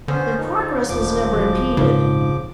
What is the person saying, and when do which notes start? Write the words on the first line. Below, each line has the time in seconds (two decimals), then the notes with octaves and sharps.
Their progress was never impeded.
0.08 D3 B3 C#4 C5
0.37 F3 D#4
0.89 D#1 F3 D6
1.33 F#3 G#3
1.77 A#1 F2 G#2 C#3 F4